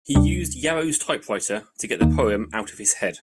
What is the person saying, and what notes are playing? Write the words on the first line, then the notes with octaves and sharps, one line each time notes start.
He used Yarrow's typewriter to get the poem out of his head.
D2 C3 G3 D4
D#2 D#3 A#3 D#4